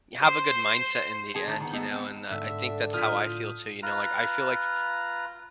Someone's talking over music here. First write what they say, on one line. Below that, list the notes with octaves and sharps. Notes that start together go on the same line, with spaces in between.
have a good mindset in the end, you know, and, uh, I think that's how I feel, too, you know, like, I feel like
C5
G#4 G#5 A5
D#3 D4 C5 A5
D#3 B3
A3 B3 D#4 G#4
B3 C4
G#2 D3 E5
A2 F4 D#6 F6 G6 B6
F4 B4 A#5